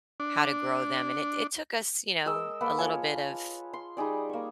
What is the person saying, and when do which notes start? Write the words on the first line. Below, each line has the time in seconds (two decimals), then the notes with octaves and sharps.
how to grow them and it it took us, you know, a little bit of
0.20 D4
2.26 G#3 A#4 D#5 E6
2.61 A#3 A4 B4 F#5
2.78 F4 C#5 G#5 A5
3.73 C6
3.97 G3 D#4 G#4 D5
4.29 A#3 C#6